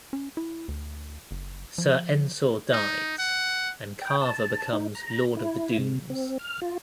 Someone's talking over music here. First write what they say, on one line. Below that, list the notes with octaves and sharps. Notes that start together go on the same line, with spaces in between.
Sir Ensor dies, and Carver becomes lord of the Doones.
C#4
E4
D2
F#1
F3
D#4
F#5
G5
A5
D#4
A#5
E4
C3
C4
F6
F4